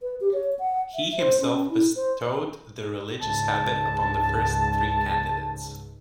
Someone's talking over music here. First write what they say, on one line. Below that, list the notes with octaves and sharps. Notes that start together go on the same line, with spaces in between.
He himself bestowed the religious habit upon the first three candidates.
B4
G4
C#5
F#5
E5
C5
C#4
E4
C5
C#2 G#2 A5